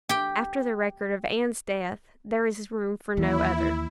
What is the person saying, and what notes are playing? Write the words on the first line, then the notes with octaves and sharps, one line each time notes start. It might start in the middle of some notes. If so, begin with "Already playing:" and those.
After the record of Anne's death, there is room for no other.
G4 G5
D#2 E3 E4